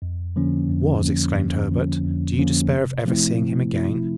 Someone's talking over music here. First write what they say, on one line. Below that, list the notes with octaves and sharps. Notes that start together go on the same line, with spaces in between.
"Was!" exclaimed Herbert, "do you despair of ever seeing him again?"
F2
D3 F3 A#3 C#4
F2
D3 F3 A#3 C#4
F2
D3 F3 A#3 C#4
F2
D3 F3 A#3 C#4
C3
F3 A3 C4 E4
C3
F3 A3 C4 E4